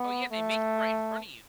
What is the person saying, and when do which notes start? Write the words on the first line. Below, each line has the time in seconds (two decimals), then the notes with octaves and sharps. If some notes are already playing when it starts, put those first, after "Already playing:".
Oh, yeah. They make it right in front of you.
Already playing: B3
0.32 A3